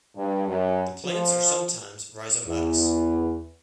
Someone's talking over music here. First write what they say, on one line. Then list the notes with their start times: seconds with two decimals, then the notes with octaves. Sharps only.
The plants are sometimes rhizomatous.
0.16 G2
0.47 F#2
1.05 F3
2.47 E2